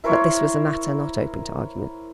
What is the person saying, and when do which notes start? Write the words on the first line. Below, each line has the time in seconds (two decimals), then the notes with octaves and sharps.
But this was a matter not open to argument.
0.04 E4 A#4 C5 C#5